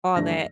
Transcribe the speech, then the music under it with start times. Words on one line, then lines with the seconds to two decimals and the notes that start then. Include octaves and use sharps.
All that.
0.15 G2 D3 F3 A3 D4 A#6